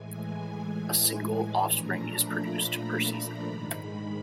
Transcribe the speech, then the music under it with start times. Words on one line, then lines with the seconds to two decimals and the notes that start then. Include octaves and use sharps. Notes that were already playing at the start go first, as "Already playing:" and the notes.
A single offspring is produced per season.
Already playing: A2 E3 G#3 G#5
1.65 A#2 F3 A3 D4 A#5
2.10 B5
2.54 B5
3.44 G#2 D#3 G#3